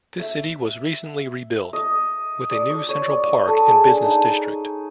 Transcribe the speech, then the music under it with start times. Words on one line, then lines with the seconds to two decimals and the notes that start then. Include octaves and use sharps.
This city was recently rebuilt, with a new central park and business district.
0.19 E5
1.73 D#5
2.51 D5
2.70 D5
2.89 C#5
3.08 D5
3.27 D#5
3.47 A4
3.67 G#4
3.85 D4
4.05 D#4